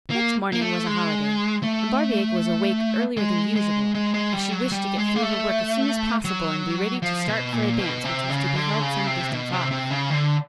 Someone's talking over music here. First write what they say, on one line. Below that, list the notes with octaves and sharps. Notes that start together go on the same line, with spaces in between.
Next morning was a holiday, and Barbaik was awake earlier than usual, as she wished to get through her work as soon as possible, and be ready to start for a dance which was to be held some distance off.
A#3
A#3
A3
G#3
A3
G#3
G#3
G#3
G#3
G3
F#3
G3
G#3
A#3
A3
F#3
F3
B2
A#2
B2
C3
C#3
D3
C#3
C3
B2
C3
C3
C#3
D3